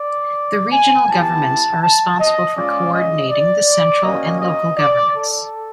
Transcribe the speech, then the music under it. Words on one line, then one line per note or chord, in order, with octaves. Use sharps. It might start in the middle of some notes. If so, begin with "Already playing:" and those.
The regional governments are responsible for coordinating the central and local governments.
Already playing: D5
G#5
B3 E4 G4 A5
A5
D#5
G#3 C#4 F4 D5
D#5
D5
A#3 C#4 F#4 D#5
D#5
D5
A4